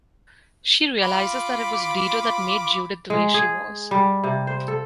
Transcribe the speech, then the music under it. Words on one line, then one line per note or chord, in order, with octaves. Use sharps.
She realizes that it was Dido that made Judith the way she was.
F4 B5 D6
G#3
G#4
G3
C3
C5
A4